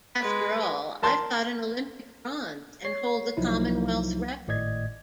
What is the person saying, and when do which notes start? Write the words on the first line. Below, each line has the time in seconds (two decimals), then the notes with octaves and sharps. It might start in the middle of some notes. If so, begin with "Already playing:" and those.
After all I've got an Olympic bronze and hold the Commonwealth record.
0.20 G#3 B4
1.03 A#4 A5 C6
2.85 C#5 C7
3.37 C2 F3 F#3 D#4 E4
4.48 G#1 A2 D5 D#5 G#6